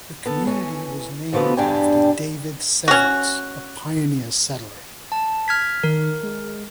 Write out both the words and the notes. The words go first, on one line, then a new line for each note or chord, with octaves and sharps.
The community was named after David Severance, a pioneer settler.
B3 A4
E3 C#4
B2 E3 F3 A3 B3
E2 G2 G3 D4 G4 G#5
C#4 F#4
A5
F6 G#6 B6
D#3 A#4
G#3